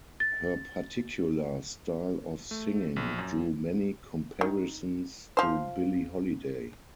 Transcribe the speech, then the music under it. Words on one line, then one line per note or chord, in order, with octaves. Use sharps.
Her particular style of singing drew many comparisons to Billie Holiday.
A6
A3
A#1
F#2
D#3
F3 C5